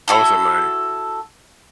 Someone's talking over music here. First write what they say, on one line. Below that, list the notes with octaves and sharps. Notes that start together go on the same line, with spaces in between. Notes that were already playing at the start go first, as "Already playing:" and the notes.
I was at my
E4 F#4 A4